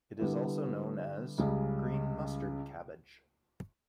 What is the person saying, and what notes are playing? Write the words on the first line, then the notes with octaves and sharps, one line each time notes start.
It is also known as "green mustard cabbage".
D3 G3 B3 E4
C#2 C#3 G3